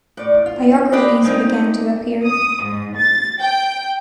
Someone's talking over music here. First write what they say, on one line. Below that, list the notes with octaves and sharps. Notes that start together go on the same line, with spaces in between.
Biographies began to appear.
A2 D5
F4
A#3 C4 G4 B4 D5 D#5
G3 G#3 A#3 C4 D4 D#4
D#6
G#2
A6
G5